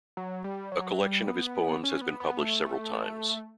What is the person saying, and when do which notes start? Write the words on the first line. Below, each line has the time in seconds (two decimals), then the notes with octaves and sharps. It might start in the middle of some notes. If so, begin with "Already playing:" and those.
A collection of his poems has been published several times.
0.17 F#3
0.44 G3
0.72 F#3
1.00 G3
1.27 B3
1.84 C#4
2.01 B3
2.20 B3
2.38 A3